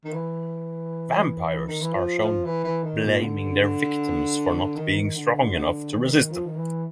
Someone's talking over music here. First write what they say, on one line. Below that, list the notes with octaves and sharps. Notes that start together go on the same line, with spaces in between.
Vampires are shown blaming their victims for not being strong enough to resist them.
D#3
E3
D#3
E3
F3
F3
E3
E3
D#3
A#2
D3
D#3
D#3
D3
D3
D3
D#3
F3
D#3
E3